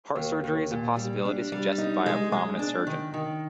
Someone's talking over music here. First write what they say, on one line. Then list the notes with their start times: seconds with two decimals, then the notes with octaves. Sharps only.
Heart surgery is a possibility suggested by a prominent surgeon.
0.16 D#2
0.44 D#2
0.71 A#2
0.97 G3
1.25 D4
1.52 G3
1.78 D#4
2.06 G#3
2.32 G#3
2.59 D4
2.87 D#3
3.14 D#3